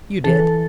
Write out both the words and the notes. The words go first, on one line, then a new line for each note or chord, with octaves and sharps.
"You did."
E3 A4